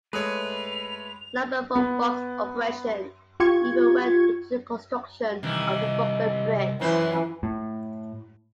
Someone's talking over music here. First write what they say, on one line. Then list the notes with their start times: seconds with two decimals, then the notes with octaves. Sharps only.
Lumber from Buck's operation even went into the construction of the Brooklyn Bridge.
0.13 G#3 A3 B4 C#5 D#6 F7
1.75 B3
3.40 F4 G4 C#6 G#6
5.43 C2 D#3 E3
6.81 F#2 E3 C5
7.43 A2